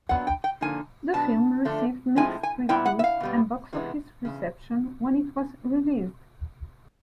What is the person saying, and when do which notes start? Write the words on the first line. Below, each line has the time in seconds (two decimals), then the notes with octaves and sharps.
The film received mixed reviews and box office reception when it was released.
0.09 A#2 F#3 B3 D4 F#5
0.27 G5
0.44 G5
0.61 D3 F3 A#3 D#4 G#5
1.13 B2 F#3 B3 D4 A5
1.65 D3 F3 A3 D4
2.16 A2 F3 G#3 C4 G#5
2.43 G#5
2.69 A#2 G3 B3 E4 G5
2.86 F#5
2.99 E5
3.04 F5
3.20 B2 G3 B3
3.73 C3 E3 G#3 B3
4.25 E2 C#3